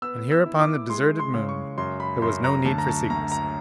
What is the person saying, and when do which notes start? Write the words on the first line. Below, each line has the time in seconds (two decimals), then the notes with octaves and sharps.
And here upon the deserted Moon there was no need for secrecy.
0.02 B3 E6
0.31 E6
0.46 E4
0.61 D6
0.90 G#3 C6
1.19 C6
1.34 C#3
1.49 C#6
1.78 F#2 C6
2.00 B5
2.22 F#2 C6
2.44 A#5
2.65 D2 A5
2.78 A#5
2.88 A5
3.10 D2 A#5
3.32 A#5